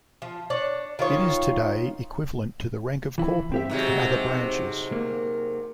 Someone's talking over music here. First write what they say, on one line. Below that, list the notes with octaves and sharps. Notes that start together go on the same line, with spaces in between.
It is today equivalent to the rank of corporal in other branches.
F3
D4 C#5
D#3 F4 C#5
E3 E4
C4 G4 E5
G#2 C3 F#3
A#3